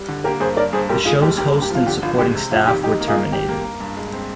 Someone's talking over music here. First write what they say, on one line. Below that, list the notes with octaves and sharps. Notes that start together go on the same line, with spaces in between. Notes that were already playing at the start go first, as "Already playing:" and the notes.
The show's host and supporting staff were terminated.
Already playing: G3
D3
A#3 G4 A#4
G2 G#4 C5
A#3 A#4 D5
G2 G#4 C5
F1 G4 A#4
G#3 F4 G#4
D#2 G4
A#3 G4
G2
G4
F3 F4
D3 G4
G#1 F4
G#3 G4
C3
F2 F4
D#3 G4
D#4 G4
A#3
F4 G#4
A#3
G2 G4
A#3
A#3
G2
G#3
C4